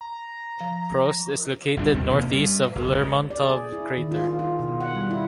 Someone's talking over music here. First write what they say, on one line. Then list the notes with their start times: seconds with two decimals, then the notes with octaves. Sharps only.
Proust is located northeast of Lermontov crater.
0.01 A#5
0.61 F3
1.77 G1 D3 G3 D4
1.94 D#2 B2 G3 C4
2.10 D#1 B2 A#3 C#4
2.29 G2 G3
2.75 F#1
2.92 C#2 A#2
3.30 D5
3.44 G#4
3.72 E4
3.97 D#3
4.12 F4
4.24 F4
4.39 F4
4.59 B2
4.81 F#5
4.95 G3
5.11 E4